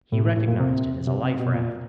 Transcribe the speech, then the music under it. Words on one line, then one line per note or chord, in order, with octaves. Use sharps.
He recognized it as a life raft.
A2
A2
A2
A#2
C3
C3
C3
B2
A#2